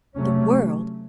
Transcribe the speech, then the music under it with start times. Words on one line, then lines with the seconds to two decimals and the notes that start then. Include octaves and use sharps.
The world!
0.17 C3 F#3 A3 C#4